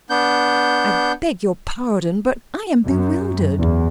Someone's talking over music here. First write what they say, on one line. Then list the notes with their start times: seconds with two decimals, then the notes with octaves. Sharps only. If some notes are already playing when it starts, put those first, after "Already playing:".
I beg your pardon, but I am bewildered.
0.10 B3 D4 G6
2.85 F#2
3.60 E2